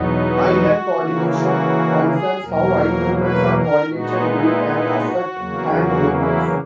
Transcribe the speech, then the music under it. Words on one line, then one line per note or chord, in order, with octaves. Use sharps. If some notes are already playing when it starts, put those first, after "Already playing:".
Eye-hand coordination concerns how eye movements are coordinated with and affect hand movements.
Already playing: E2 B2 F#3 B3 D#4
F#4
C#3 E3 A#3
F#4
G#4
E2 B2 F#3 A#3 A#4
B4
A#4
A#2 G#3 B3 D#4 F#4
E4
E4
F#4
E2 C#3 F#3 A#3
F#4
E4